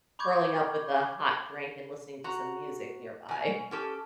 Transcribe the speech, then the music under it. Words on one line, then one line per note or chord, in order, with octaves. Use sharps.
curling up with a hot drink and listening to some music nearby.
B5 C#6 D6 G6 G#6
F#4 A#5
B2 G#5
C#4 G4 A4